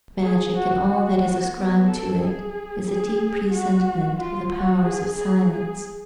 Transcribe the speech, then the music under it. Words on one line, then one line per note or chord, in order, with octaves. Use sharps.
Magic and all that is ascribed to it is a deep presentiment of the powers of science.
G#4
F#4
F#4
B3
A4
G#4
G#4
F#4
F4
F#4
G#4
G#4
G#4